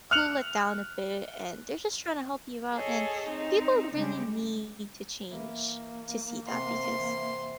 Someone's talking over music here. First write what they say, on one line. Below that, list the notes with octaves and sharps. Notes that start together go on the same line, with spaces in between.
cool it down a bit, and they're just trying to help you out." And people really need to change to see that because
F6 F#6 C#7 F7 F#7
G#4 A4 C#5 D#5
C4 D#4
C#3 G3 G#3 G4
E3 A#3
C3 F#5 C6
E3